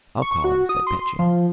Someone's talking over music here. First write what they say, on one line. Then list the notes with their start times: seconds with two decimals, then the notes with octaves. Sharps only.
"I'll call him," said Petya.
0.22 C#6
0.44 F#4
0.69 D#6
0.87 C6
1.19 F3